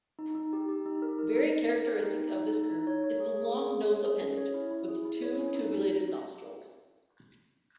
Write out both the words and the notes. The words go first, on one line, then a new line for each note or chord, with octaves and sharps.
Very characteristic of this group is the long nose appendage with two tubulated nostrils.
D#4
D#4
G4
G4
D#4
A#4
D#4
D#4
D#4
A#4
G4
D#4
D#4
D#4
D#4
D#4
C#5
C#5
G#4
G#4
G#4
G#4
C#5
G#4
C#4
C#5
E4
E4
G#4
E4
C#5
C#4
D#4
D#4